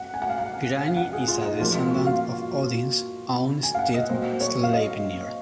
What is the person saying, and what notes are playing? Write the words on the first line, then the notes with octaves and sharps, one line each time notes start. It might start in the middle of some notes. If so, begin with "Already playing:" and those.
Grani is a descendant of Odin's own steed, Sleipnir.
Already playing: F#5
G#5
F#5
F5
F#5
F5
F#5
G#4
F4
D#4
A#2 F3 A#3 F4
F4
F#4
F5
G#5
F5
F#5
D#5
A#2 F#3 C4 C5
C#5
F5
D#5